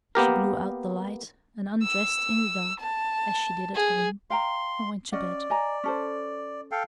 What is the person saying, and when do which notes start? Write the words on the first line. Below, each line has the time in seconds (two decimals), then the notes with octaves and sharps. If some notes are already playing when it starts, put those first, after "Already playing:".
She blew out the light and undressed in the dark as she did at home and went to bed.
0.15 A#3 B3 G4 A#4
1.83 E6
2.80 A5
3.76 G#4
4.30 F5 G5 A#5 C6
5.12 C#4 D5 D#5 F#5
5.50 D#5 G#5 A#5
5.84 C#4 A4 C5
6.71 A4 F5 G5